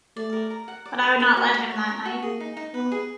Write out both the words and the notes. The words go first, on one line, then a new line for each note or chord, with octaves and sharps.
But I would not let him that night.
A3 D5
A#4
A#4
F#5
D5
A#4
A#3 A#4
F#4
F#4
C#5
A#4
F#4
A#3 G#4
D#4
D#4
B3 B4
G#4